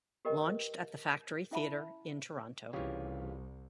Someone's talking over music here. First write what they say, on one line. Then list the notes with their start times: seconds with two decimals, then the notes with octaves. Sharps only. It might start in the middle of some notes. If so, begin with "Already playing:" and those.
Launched at the Factory Theatre in Toronto.
0.25 G4 A#4 B4 D#5 G5
1.51 C#4 E4 E5 F#5 A5 B5
2.73 C2 C#3 E3 F4 G4 C#5